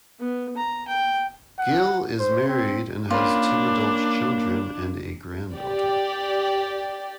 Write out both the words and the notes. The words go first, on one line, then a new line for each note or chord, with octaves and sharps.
Gill is married and has two adult children and a granddaughter.
B3
A#5
G5
F#5
C5
C4
A#3 C#4 D4 F4 C#5 B5
G4 D5